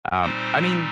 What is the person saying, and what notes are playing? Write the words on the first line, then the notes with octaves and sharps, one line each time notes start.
Um, I mean,
A#2 G3 C4 D#4 C5